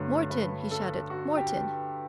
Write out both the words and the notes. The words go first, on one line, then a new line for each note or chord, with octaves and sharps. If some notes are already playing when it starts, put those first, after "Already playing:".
"Morton!" he shouted; "Morton!"
Already playing: G2 D3 F#3 A3 B4
B4
A4
F#4
G4